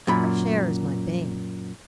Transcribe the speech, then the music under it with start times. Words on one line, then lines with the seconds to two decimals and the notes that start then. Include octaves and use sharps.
Fresh air is my bane.
0.07 F#2 A#2 B5